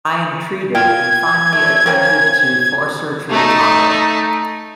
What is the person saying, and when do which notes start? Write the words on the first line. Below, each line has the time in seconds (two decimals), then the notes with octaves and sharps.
I entreated, and finally attempted to force her to retire.
0.75 F4 G5 G#6
1.53 A3
1.86 A#3 C4 C#4
3.29 A3 D#4